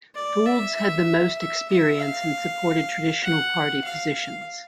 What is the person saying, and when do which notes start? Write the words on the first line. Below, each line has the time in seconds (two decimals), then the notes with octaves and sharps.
Foulds had the most experience and supported traditional party positions.
0.15 D5
0.46 E5
0.77 E5
1.38 E5
1.69 E5
2.00 F5
3.23 F#5
3.84 F5
4.16 F5